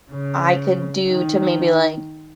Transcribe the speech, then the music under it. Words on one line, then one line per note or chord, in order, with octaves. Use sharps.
I could do to maybe, like,
C#3
D#3